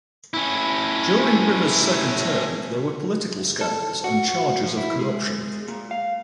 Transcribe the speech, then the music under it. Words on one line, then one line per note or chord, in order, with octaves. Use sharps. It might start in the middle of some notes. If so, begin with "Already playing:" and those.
During Rivers' second term, there were political scandals and charges of corruption.
C#4 E4
A4
F#4
F#4
F3
E4
G#3
A#2
F5